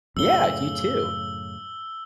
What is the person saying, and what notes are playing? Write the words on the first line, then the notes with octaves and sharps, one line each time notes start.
Yeah, you, too.
F#2 A2 C#3 E6 G7